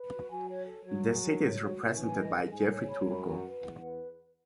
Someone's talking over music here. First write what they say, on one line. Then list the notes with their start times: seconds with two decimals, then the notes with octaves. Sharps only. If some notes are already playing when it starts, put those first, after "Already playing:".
The seat is represented by Jeffrey Turco.
Already playing: B4
0.11 F#4
0.29 F#3 G#5
0.48 C#5
0.66 A4
0.85 F#3 C#5
1.03 G#4
1.22 C#4
1.41 C#5
1.58 F#4
1.77 C#4
1.96 E3 G#5
2.14 D#5
2.33 G#4
2.50 G#2 G#5
2.69 C#5
2.88 B5
3.07 F#2 B5
3.25 F#5
3.44 B4
3.62 E2 F#5
3.80 B4